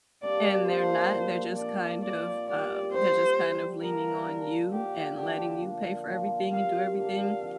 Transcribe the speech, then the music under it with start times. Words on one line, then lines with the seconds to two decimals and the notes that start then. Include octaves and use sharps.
and they're not, they're just, kind of, um, there just kind of leaning on you and letting you pay for everything and do everything,
0.22 C3 G3 A#3 D4 D5
0.67 F3 A#3 D4 C5
1.13 A#2 F3 C4 F4
1.57 A#2 F3 D4 D5
2.02 F3 A#3 F4 D5
2.47 A#2 G3 A#3 D5
2.92 C3 A#3 D4 C5
3.37 D3 G3 C4
3.82 D3 G3 A#3 D4 A#4
4.27 F3 D4 F4
4.72 D3 A#3 F4 G4
5.17 D3 F3 D4 G4
5.62 F3 A#3 D4
6.07 A#2 F3 A#3
6.52 C3 A#3 F4 F5
6.97 D3 A#3 D4 F5
7.42 C3 F3